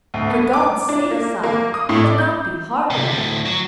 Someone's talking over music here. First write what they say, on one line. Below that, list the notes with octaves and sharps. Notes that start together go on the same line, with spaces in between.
For God's sake, sire, do not be hard on me!
D2
B3
D6
D4
A#3
A#3
D#6
A2
D5
G6
C3
D2 A2
F#3